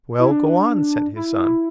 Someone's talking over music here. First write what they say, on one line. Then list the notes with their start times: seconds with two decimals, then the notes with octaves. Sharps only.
"Well, go on!" said his son.
0.20 E4
0.31 D4
1.16 E4